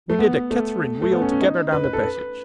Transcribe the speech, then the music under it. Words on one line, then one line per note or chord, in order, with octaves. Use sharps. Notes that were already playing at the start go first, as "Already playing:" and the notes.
We did a Catharine-wheel together down the passage.
A3
B3
A3
A3
B3
C#4
C#4
D#4
B4
B4
A4
B4